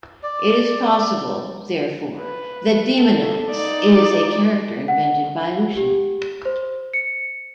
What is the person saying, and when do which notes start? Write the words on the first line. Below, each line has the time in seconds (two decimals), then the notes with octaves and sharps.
It is possible, therefore, that Demonax is a character invented by Lucian.
0.23 D5
2.17 B4
2.97 A4
3.51 D#4 D5
4.88 F#5
5.77 G4
6.45 C5
6.93 C#7